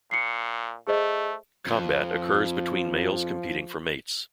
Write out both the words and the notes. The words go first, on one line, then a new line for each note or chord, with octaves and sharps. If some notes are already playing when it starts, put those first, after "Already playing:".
Combat occurs between males competing for mates.
A#2 C7 C#7
A3 G#4 C5 D#5
F2 F3